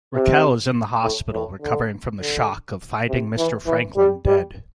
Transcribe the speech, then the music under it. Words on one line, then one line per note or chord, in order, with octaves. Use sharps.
Raquel is in the hospital recovering from the shock of finding Mr. Franklin dead.
C3
A2
A2
D3
D3
C3
E3
E3
G3
G3